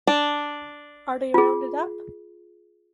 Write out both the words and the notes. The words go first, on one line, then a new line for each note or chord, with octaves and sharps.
Are they rounded up?
D4
F4 G#4